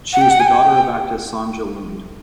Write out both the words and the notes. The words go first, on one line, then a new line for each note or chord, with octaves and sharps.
She is the daughter of actress Sonja Lund.
F#5
G5
F#5
G#5
G5